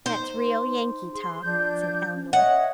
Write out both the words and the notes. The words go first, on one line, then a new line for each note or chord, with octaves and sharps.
"That's real Yankee talk," said Elinor.
D#4 C5
G#4 C6
F3 D4 G6
C#4
C#5 D#5 E5 F#5